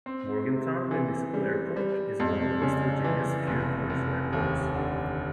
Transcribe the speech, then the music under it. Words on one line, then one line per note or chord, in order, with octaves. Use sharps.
Morgantown Municipal Airport is one of West Virginia's few commercial airports.
C4
C3
E3
G3
G3
F2
C#3
E3
F1
F1
D#2
D3